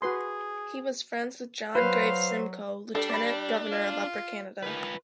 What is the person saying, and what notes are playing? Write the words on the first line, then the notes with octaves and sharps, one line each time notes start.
He was friends with John Graves Simcoe, Lieutenant Governor of Upper Canada.
F#4 G#4 B4 C6
F#3 B4 C5 F5
G3 D4 A4
D5 B5
F4
D#3 F4 B4